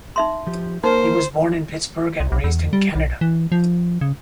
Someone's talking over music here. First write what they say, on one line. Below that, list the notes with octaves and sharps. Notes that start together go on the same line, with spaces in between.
He was born in Pittsburgh and raised in Canada.
D#4 E5 C6
F3 G4
A#3 D#4 A#4 C5
C2
B1
E2
G3
B1
E3
F3
C#3